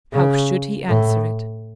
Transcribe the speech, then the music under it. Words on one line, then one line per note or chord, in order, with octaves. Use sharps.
How should he answer it?
C#3
A2